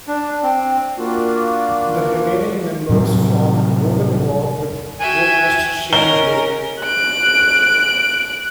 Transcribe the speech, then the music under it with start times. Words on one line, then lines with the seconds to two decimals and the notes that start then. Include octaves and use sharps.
The remaining members formed Wovenwar with vocalist Shane Blay.
0.07 D4
0.43 C4
0.98 A#3 D4 F4 F#4
2.89 A2 C3 F#3 G3
5.00 F#4 E5 G5 G#5
5.93 C#4 A#4 D#5 F#5 A#5 G7
6.82 F#6 D7